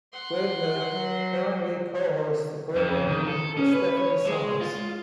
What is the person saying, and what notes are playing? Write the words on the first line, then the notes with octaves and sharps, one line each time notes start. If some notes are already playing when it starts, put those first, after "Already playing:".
Wegner currently co-hosts the program with Stephanie Summers.
F#5 C6
F#3
F2
D#3
A4
C#4
B4
C#5
G#3
F4